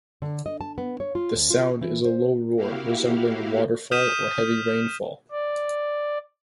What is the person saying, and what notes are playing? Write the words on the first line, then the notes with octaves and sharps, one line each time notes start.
The sound is a low roar resembling a waterfall or heavy rainfall.
D3
D#5
A5
B3
C#5
F4
D2
F4
E3
C5
A#3 E4 F#4 G4 F5
D#6 F6 G6 B6 D#7 E7
D5